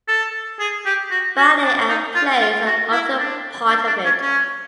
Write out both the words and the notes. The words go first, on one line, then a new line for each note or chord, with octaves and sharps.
Ballet and plays are often part of it.
A4
G#4
G4
F#4
F#4
D4
D#4
F4
F4
F#4
E4
D4
D4
D4
C#4
C#4